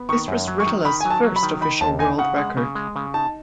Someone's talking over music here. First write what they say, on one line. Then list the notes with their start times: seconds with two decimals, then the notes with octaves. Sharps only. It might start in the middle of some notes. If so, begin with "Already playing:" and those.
This was Ritola's first official world record.
Already playing: B3
0.09 D#3 C#6
0.28 F#2
0.48 F#3
0.60 C#6
0.66 D#3
0.85 D#3 B5
1.01 F#3 G#5
1.10 A5
1.24 F#3
1.36 B5
1.43 D#3
1.61 D#4 B5
1.81 D#2 A5
1.99 D#4 G#5
2.18 C#3 F#5
2.37 G#3
2.57 C#3
2.75 G#3
2.96 C#3
3.14 D#4 A5